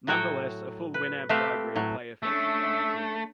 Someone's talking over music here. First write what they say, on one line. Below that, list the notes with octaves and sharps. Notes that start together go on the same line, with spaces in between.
Nonetheless, a full Winamp Library and player features are included.
A2 F#3 F#4 C#5 G5
B4
A3 C4 G4 B4 E5 F5
A2 F#3
A3 C#4 D4 E5